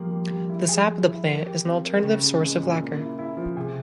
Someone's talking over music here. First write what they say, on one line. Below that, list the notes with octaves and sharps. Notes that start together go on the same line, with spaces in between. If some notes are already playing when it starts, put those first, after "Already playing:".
The sap of the plant is an alternative source of lacquer.
Already playing: F3 G3 A#3
G3
G3
E4
G#4
G#4
E4
A#4
G4
C4
A#4
C#3 G4
G#3
G#3
A#2
A#3
E4
E4
F3
C3 G#4